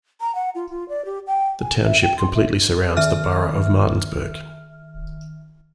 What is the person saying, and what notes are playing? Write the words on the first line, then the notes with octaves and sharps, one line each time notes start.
The township completely surrounds the borough of Martinsburg.
A#5
F#5
F4
F4
D5
G4
G5
G#5
E5
G5
C6
E5
D#3 E5 F6